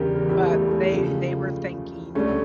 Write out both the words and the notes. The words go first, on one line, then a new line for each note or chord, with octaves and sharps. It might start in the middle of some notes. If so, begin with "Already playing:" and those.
But they they were thinking
Already playing: E2 C#3 G3 G4 A#4
E4 G4
A3
A3
C#2 C#3 F3
D2 D3 G3 A3 C#4